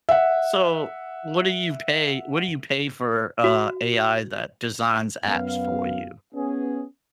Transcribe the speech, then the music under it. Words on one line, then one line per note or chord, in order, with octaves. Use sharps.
So, what do you pay what do you pay for, uh, AI that designs apps for you?
E5 F#5
F#4
F#2 B3 F5
B3 C#4 G#4